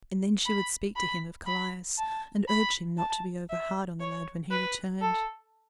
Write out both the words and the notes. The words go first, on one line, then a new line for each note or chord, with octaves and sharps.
And then she would speak to him of Callias, and urge him not to be over hard on the lad when he returned.
B5
B5
B5
A5
B5
A5
E5
C#5
B4
A4